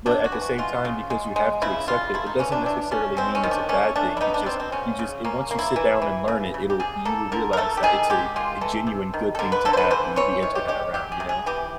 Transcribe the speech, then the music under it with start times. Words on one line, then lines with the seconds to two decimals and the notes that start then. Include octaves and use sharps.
but at the same time, because you have to accept it, it doesn't necessarily mean it's a bad thing, it just you just And once you sit down and learn it, it'll you will realize that it's a a genuine good thing to have the the internet around, you know?
0.06 C3 D4
0.24 F#4
0.32 E3
0.41 F#4
0.58 G#3 F4
0.85 C#3
1.10 G#3
1.36 G#3
1.62 C#3 E4
1.87 G3 F4
2.14 A3 E4
2.26 D#4
2.39 E3 C#4
2.52 D4
2.66 C3 D4
2.91 A3 C#4
3.17 G#3 C4
3.35 C#4
3.43 D#3
3.51 D4
3.69 A3 C#4
3.96 A3 D4
4.17 E4
4.21 B3 D#4
4.34 D4
4.46 B2 C4
4.60 C4
4.72 C#3 C#4
4.99 C#3
5.24 A#3 C#4
5.51 A#3
5.59 E4
5.76 E3
6.02 E3
6.28 C#3
6.54 C#3
6.70 G4
6.80 G3 G#4
7.05 A#3 A4
7.32 D3 A#4
7.53 A#4
7.57 A3 A4
7.77 G4
7.83 D#3 G#4
8.10 G#3 G4
8.36 G#3 F4
8.61 E3 A4
8.87 C3
9.14 D#3
9.35 A4
9.39 D3 A#4
9.52 B4
9.65 D3 A4
9.73 C5
9.77 B4
9.91 E3 C5
10.16 E3 C#5
10.43 D#3 C#5
10.55 G4
10.68 G#3 G4
10.94 F#3 G4
11.12 G#4
11.20 C3
11.29 G#4
11.46 E3 G4